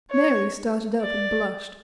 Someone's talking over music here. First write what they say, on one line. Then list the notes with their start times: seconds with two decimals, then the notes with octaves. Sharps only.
Mary started up and blushed.
0.11 C#5
1.01 D5